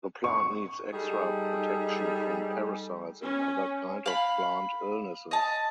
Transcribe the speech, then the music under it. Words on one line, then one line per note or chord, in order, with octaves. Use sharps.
The plant needs extra protection from parasites and other kind of plant illnesses.
C#6
G3 D#4 G#4 A4
C#4
F5 B5
D#5 A5